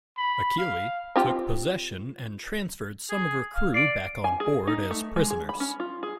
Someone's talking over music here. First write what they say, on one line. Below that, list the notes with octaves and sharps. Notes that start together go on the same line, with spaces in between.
"Achille" took possession, and transferred some of her crew back on board as prisoners.
B5
F5
C4 F4 G4
G#4
F5
D5 C7 D7
G#5
G#4
D#4
A3
G#3
G#4
B5
C#4
F4
G#4